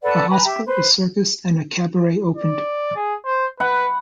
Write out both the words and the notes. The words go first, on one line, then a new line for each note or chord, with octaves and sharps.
A hospital, a circus, and a cabaret opened.
A4 B4 D5 F#5
B4 G#5 A#5 B5
G4 E5
B4 C5
D5
G#4
C5
B4 F#5 B5